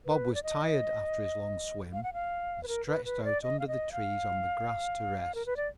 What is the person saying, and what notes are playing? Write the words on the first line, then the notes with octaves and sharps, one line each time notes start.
Bob was tired after his long swim and stretched out under the trees on the grass to rest.
B4
D5
D#5
F5
F#5
F5
B4
A#4
B4
B4
D5
D#5
F5
D#5
F5
A#4
B4
D5